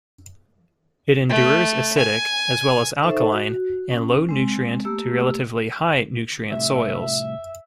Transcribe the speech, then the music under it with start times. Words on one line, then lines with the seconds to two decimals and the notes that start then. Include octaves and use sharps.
It endures acidic as well as alkaline and low-nutrient to relatively high-nutrient soils.
1.29 A3
1.98 G#5
3.02 D#4 A4 C5 E5 C#6
3.33 F#4
3.91 C#4
4.29 G#3 C4
4.85 A3 A#3 G4 E6
6.51 C2 A2 E5